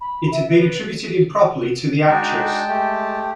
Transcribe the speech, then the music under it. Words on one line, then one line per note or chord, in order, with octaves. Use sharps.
It had been attributed improperly to the actress.
B5
E5
B4
G#3 D4 D#4 F#4 G5 A5
A3 G4